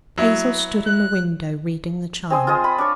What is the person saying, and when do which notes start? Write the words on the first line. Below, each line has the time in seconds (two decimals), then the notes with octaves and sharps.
Hazel stood in the window reading the charm.
0.18 F#3 E4
0.87 F#6
2.30 C4 G#4 C6 E6
2.47 F4 G#4 C5 D#5
2.64 B5
2.78 D4 C#5